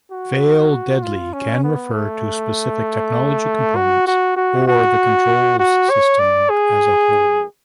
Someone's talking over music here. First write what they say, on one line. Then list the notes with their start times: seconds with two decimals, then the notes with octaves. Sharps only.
Fail-deadly can refer to specific technology components, or the controls system as a whole.
0.12 F#4
1.03 F4
1.33 C#4
1.64 B3
1.93 A3
3.76 F#4
4.07 F#4
4.37 F#4
4.67 F#4
5.59 F#4
5.90 C#5
6.19 D5
6.50 G#4